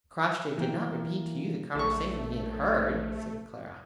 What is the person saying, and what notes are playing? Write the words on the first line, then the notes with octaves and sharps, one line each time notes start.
"Crossjay did not repeat to you the conversation he had heard?" said Clara.
E3 A#3 G5
A#1 A3 A4 C#6